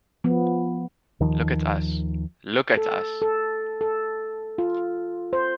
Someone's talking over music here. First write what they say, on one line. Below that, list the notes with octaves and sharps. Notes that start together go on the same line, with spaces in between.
Look at us — look at us!
F3 B3
D#2 D#3 F3
A4
A4
A4
F4
C5